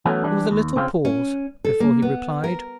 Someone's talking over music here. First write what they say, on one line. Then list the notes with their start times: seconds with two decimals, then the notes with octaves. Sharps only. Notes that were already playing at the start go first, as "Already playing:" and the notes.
There was a little pause before he replied.
0.05 E3 F#3 A3 B3 C#4
0.24 E3 G3 D4
0.51 D#2
0.76 C#3 C4 F4
1.05 C#4
1.65 A4
1.80 A#3
2.02 B3
2.44 A#4